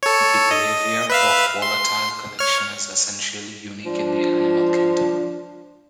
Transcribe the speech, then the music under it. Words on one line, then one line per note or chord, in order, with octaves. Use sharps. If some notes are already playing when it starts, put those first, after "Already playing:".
The behavior of volatile collection is essentially unique in the animal kingdom.
A4 C#5
D#5
B4 E5 F5
C6
C#5 F6
F3 D4